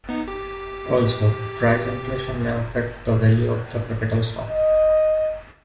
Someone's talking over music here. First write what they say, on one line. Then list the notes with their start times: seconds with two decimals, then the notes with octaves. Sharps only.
Also, price inflation may affect the value of the capital stock.
0.09 B3 D#4
0.28 G4
4.48 D#5